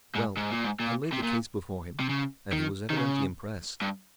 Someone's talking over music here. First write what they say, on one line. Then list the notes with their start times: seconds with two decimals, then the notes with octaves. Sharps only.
Well, I laid the case before him, and he was evidently impressed.
0.16 G#2
0.37 G#2
0.51 A#2
0.65 G#2
0.80 A#2
1.13 C3
1.23 A#2
2.00 C3
2.09 C#3
2.53 D#3
2.90 D#3
2.96 C#3
3.82 G2